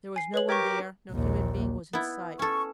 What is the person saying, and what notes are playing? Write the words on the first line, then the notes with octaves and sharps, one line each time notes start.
There was no one there; no human being was in sight.
G#5 C7
B4 C#5 F#7
G4 A#4 C#6 D6 G#6
A#1 D#2
B3 E4
C#4 A4 C#6